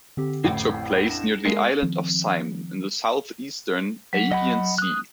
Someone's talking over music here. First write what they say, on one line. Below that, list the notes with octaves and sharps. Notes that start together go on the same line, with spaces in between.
It took place near the island of Syme in the south-eastern Aegean Sea.
D3 C4 G4
A1 F2 A2 F#5 G5 C7
D4 A#6 E7
G#3 A#3 C7
D#3 F3 C4
F#3
D#5 F#5 B5
D#6 F#6